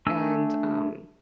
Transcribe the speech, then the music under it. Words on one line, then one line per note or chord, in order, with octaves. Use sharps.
and, um,
A3 D4 G#5 E6